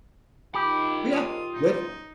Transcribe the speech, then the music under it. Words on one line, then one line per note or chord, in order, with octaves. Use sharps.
Oh yeah. Good.
D#3 F4 G4 B5
G#2 D#3 D#6
F#2 A#2 D#4